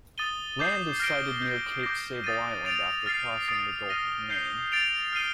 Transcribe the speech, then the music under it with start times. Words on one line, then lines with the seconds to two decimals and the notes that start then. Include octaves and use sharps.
Land is sighted near Cape Sable Island after crossing the Gulf of Maine.
0.18 D#6 A6 D#7 G7
0.59 D6 G6 C7
1.00 F6 A#6 D7 G7
1.42 G6 C7 G7
1.83 D6 G6 A#6
2.24 D#6 A6 D#7
2.65 A6 D7 F7
3.06 F6 A6 C7
3.48 D#6 A6 D7
3.89 F6 A#6 D#7 G7
4.30 G6 C7 G7
4.72 A6 D7 F7
5.13 F6 C7 D#7 G7